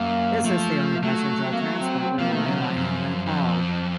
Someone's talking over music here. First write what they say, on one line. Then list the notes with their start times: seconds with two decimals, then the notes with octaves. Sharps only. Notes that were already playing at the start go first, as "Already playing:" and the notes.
This is the only passenger transport railway line in Nepal.
Already playing: F#2 A#3
0.45 F3 A3
0.96 A#3
1.02 F#3 A3
1.44 C4
1.52 A#3
1.61 A3
1.79 C4
1.99 C4
2.18 F3 A#3
2.32 D#3 A3
2.46 C#3 F#3
2.61 C3 F3
2.76 F#2
3.26 F#2
3.33 F2